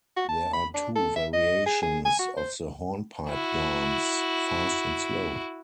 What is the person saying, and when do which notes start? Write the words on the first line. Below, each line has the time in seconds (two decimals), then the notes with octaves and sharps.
There are two variations of the hornpipe dance: fast and slow.
0.17 F#4
0.29 A5
0.53 B5
0.75 D4
0.96 A4
1.16 E5
1.34 D#5
1.67 G#4
1.83 G#4
2.05 G#5
2.20 F#4
2.37 C5
3.30 E4 F#4